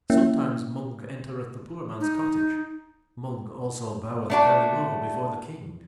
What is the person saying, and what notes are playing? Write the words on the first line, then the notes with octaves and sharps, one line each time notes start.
Sometimes Mung entereth the poor man's cottage; Mung also boweth very low before The King.
A#3 C#4 E4 E5 G5
D#4
A3 D4 F#4